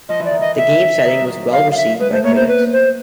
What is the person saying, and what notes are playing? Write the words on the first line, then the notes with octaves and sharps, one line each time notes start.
The game's setting was well received by critics.
F3 D#5
E3
D5
D#3
E3 D#5
E5
D#3
F#3
F5
F5
E5
G#3 B4
A3 C5
A#3 C#5
B3 C5
B4
C5